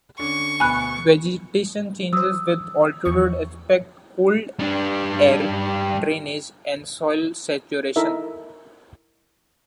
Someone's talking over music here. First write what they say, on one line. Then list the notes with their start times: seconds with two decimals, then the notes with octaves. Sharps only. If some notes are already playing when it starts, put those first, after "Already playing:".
Vegetation changes with altitude, aspect, cold air drainage and soil saturation.
0.19 D3 C#4 D4 C#6
0.60 D2 B2 B3 G#5 B5 F#6
2.13 F#3 C5 D#6 E6
3.05 E2 F3 C#6
4.59 G3 D4
7.96 D#4 E4 A4 A#4 E5